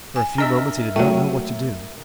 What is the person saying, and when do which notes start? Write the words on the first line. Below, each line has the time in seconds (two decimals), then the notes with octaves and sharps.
For a few moments he did not know what to do.
0.16 G#5
0.38 D4 A#4 D#5 E5
0.96 F#3 A3 G5